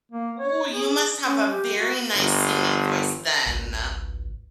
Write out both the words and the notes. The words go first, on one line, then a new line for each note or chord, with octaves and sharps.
Ooh, you must have a very nice singing voice then.
A#3
C#5
G#4
C#4
G4
F#4
G1
G#1 C#2